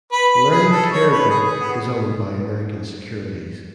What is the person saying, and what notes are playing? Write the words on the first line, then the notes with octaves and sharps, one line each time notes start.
Learning Care Group is owned by American Securities.
B4
B4
G#4
A4
C#5
B4
G#4
G#4
B3